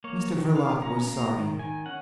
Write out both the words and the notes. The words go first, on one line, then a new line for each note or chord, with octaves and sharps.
Mr Verloc was sorry.
A#3 C#5
D#3
D#3 F5
C#4 A#5
A#3 A#5
D#3
D#3 G#5
C#4 F#5